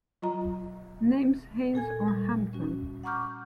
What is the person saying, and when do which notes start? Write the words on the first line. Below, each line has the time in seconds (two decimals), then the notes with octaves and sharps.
Name's Haines or Hampton.
0.22 F#3 F4 D#5 A#5
1.74 A#2 A4 G#5 G#6
2.08 G3
2.53 C#4 F#4
3.03 F#5 A#5 C#6 D6 F6 G6